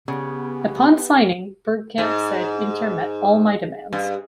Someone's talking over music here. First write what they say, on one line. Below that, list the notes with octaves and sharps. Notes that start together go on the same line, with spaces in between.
Upon signing, Bergkamp said Inter met all my demands.
C#3 B3 G4
G#2
G2